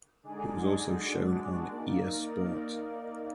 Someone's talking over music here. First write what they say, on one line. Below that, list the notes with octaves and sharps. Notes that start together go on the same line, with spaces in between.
It was also shown on Eir Sport.
D3 G#3 D#4 G#4 D5
G#3 D4 F#4 D5
A#3 D#4 A#4 D5